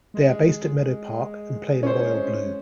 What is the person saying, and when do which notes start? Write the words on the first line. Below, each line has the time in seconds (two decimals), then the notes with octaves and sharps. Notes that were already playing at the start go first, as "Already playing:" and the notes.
They are based at Meadow Park and play in royal blue.
0.14 G#3
1.83 C#4 C5